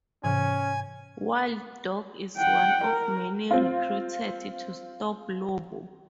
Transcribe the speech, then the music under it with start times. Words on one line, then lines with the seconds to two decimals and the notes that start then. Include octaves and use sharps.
Wild Dog is one of many recruited to stop Lobo.
0.24 G#2 C3 E3 C#4 G#5
2.38 F#5 G5
2.84 A#4
3.51 C4 F4